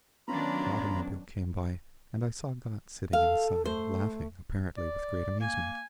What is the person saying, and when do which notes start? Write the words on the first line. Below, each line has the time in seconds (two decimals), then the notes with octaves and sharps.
An automobile came by, and I saw Gotz sitting inside, laughing apparently with great amusement.
0.28 D#3 F#3 B3 C#4 D4 F4 A#5 B5
3.13 A4 F5
3.65 A3 C5
4.78 D5
5.40 A#3 G#5